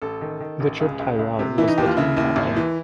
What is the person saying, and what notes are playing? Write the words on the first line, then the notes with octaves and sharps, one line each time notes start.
Richard Tyrrell was the team captain.
A1 A4
D#3
D#3
A1
C#2 G#4
C#2
C#2
C3
E3 E4
D#4
D#2 G4
F4
C#3 E4
D#2 E4
G#1
E3